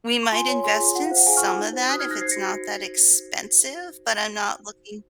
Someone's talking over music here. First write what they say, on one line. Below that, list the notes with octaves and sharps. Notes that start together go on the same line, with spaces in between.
We might invest in some of that if it's not that expensive, but I'm not looking
C#6
F4 G#5 C6
C#5
G#4 G#5 C6
F4
F4 F#5
F5
C5
F#5
G#4 F5 G#5
C#6 F6
F4
D#4
C5
F#4 D#6 F#6
F6 G#6
D#4
F#6 A#6
C5 G#6 C7
A#6 C#7
F#4